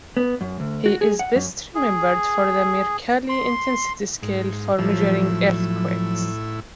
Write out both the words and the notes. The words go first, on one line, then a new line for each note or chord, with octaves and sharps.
He is best remembered for the Mercalli intensity scale for measuring earthquakes.
B3
F#2
D2
F#4
G#4
F#5
F#2
G#4
C6
G#2
A2 F3 F#3 E4